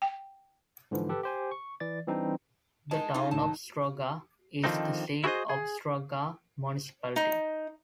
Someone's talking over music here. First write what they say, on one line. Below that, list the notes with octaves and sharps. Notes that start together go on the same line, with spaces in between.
The town of Struga is the seat of Struga Municipality.
G5
G#2 D3 E3 F3
G4 A4 B4
G4 C5 G#5
C#6
E3 D5 A6
E3 G3 C4 D4 D#4
G#3 D#4 A5
C#3 A3 D#4 F4
C#2 A2 D#3 F#3 A5
D3 D#3 F3 G#3 C4 D#4
E4 F#4 G#4 A#4 C5 D#5
G#4
D#4